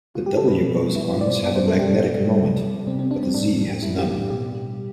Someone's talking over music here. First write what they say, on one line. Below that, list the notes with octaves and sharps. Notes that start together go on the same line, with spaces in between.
The W bosons have a magnetic moment, but the Z has none.
F4
G4
A4
B2 B4
G3
B2 E4
F4
G3 D5
C5
B2 D5
C5
G3 A4
G4
B2
G3
C3
G3
C3 C4
C4
G3 D4
C4
A2 D4
E3
G3 E4
G4
A2
G4
B2 G4
G3